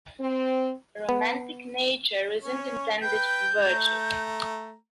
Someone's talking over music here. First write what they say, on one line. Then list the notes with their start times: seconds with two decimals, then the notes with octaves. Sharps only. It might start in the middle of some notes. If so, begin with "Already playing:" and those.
The romantic nature isn’t intended for virtue.
0.19 C4
1.09 B3
2.43 C#4 C#5
3.02 B4 G5 G6
3.66 A3 A#5